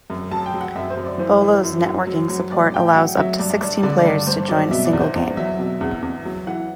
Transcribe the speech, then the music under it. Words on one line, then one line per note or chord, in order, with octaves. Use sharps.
"Bolo"'s networking support allows up to sixteen players to join a single game.
F#2
F#3 A5
G5
F#3
F#5
F#2 E5
C5
F#2
D5
E3 C5
E3
F#2
F#2
F#3
F#3
A2 D5
A2 G5
F#3 F#5
F#3 E5
G2 D5
G2 D5
D3 D5
D5
G2
D5
G2 C5
F#3 D5
B2 E5
D5
E2
C5
E2
F#3 E5
B2
E2
E2
F#3
E3 F#5